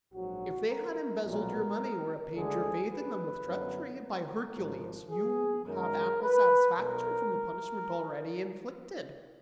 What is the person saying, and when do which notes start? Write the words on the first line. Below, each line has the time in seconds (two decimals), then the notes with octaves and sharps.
If they had embezzled your money or repaid your faith in them with treachery, by Hercules, you have ample satisfaction from the punishment already inflicted!
0.13 A#1 G#2 F#3 F#4
0.68 A#4
1.23 B1 A#2 F#3 B3 A#4
2.34 D2 D3 G#3 G#4
2.89 B4
3.45 F#2 D3 F#3 B3
4.00 A#4
4.55 G#1 G#2 F3
5.10 G#4
5.66 F#2 D#3 G#3 A#4
6.21 B4
6.76 B1 B2 A#4